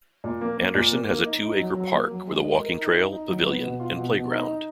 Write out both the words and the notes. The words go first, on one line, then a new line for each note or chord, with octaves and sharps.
Anderson has a two-acre park with a walking trail, pavilion, and play ground.
A#2
A#3
A#3
A#2
A#3
A#3
D#4
D#4
F#3
F#3
A#3
F#3
G#3
D#5
A#4
D#4
D#4
D#4
F#3
B3
B2
F4
B2
B2
D#4
D#4